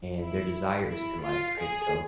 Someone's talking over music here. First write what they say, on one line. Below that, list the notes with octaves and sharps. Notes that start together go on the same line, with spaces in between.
and their desires in life, right, so,
E4
E4
F4
G#4